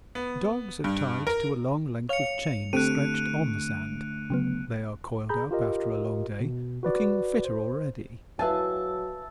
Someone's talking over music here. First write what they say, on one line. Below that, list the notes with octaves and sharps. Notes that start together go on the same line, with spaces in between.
The dogs are tied to a long length of chain stretched on the sand; they are coiled up after a long day, looking fitter already.
B3
G2
A#4
C#5 F5 C#7 F7
D3 A3 C4 G4 A4 F#6 D7 D#7
C#3 F#3 B3
G#4 A#5 B5 G6
F4 G4 A#4 D#5
B2
F#4 B4 D5
C5
F#3 B4 E5 F5 G#5 A5